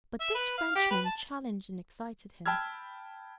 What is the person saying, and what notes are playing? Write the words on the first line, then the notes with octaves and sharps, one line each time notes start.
But this Frenchman challenged and excited him.
E5
B4
F5
G4
B4
A5
G5 A5 B5 E6 F6 G#6